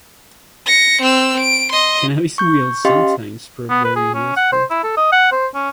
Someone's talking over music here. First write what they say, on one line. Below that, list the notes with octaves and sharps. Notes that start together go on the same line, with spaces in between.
Cannabis will sometimes prove very useful.
A#6 C#7
C4 E6
D7
D#5 C6
C#6 G6
C#4 G4 D#5 F5 C6
B3
B4
G#4
C#4
F#5
C5
E4
A4
D#5
F#5
C5
C#4